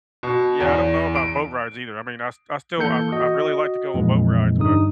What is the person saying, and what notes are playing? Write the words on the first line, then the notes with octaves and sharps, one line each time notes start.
Yeah, I don't know about boat rides either. I mean, I st I stilI I've I've really like to go on boat rides, but,
B2
E2
D7
E3 A#3 A4 G6 C#7
F#4 D#5
F2 A#2 E3 G#3
G2 D3 G3 D#4 D#6